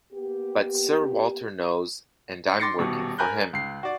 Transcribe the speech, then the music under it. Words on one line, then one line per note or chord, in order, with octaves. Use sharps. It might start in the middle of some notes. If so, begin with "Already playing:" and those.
But Sir Walter knows, and I’m working for him.
A#3 B3 G4
C6 D6 A6 A#6 C7 C#7
D#1 B2
A#4 G#5 A#5 B5 F#6 G6
C#2 C7
F#4 D5